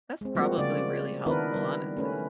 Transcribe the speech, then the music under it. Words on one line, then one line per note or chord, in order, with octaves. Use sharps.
That's probably really helpful, honestly.
G#3 C4
F3 G3 G#3 A#3 C4 F#4
C#3 D5
D#3 B3 D4 E4 A#4 B4
G3
A3 C#4 B4